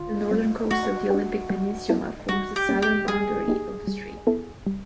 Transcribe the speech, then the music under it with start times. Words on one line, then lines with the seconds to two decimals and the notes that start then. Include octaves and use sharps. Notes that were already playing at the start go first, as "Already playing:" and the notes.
The northern coast of the Olympic Peninsula forms the southern boundary of the strait.
Already playing: D3 F4
0.31 G3 C4
0.71 A3 F#4
1.10 D4 G4
1.50 G3
1.90 B3 E4 A4
2.29 G3 F#4
2.56 G4
2.69 A#3 C#4
2.82 G4
3.08 F#3 G#4
3.48 A#3 D#4 G4
3.87 G3
4.27 B3 E4 A4
4.67 G3